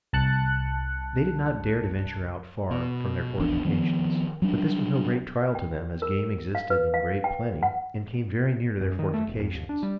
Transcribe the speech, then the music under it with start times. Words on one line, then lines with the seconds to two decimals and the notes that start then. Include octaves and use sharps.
They did not dare to venture out far from their fortifications; but, this was no great trial to them, as game existed in great plenty and came very near their fortifications.
0.13 C2 A5 F#6 C#7
2.71 B2
3.39 D#1 A#1 E2 D4
3.65 D#3 F3 A3 B3
4.42 F#3 G3 D4
5.55 G5
6.02 A#4
6.55 F5
6.70 B4
6.94 F5
7.24 G5
7.63 F#5
8.81 F#2
8.99 D#3
9.14 A3
9.27 E1
9.41 F2
9.55 D#2
9.69 D4
9.83 G3